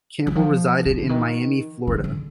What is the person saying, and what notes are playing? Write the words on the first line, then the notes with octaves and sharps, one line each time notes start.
Campbell resided in Miami, Florida.
E3
F3
D#3
D3
D#3
D3
D3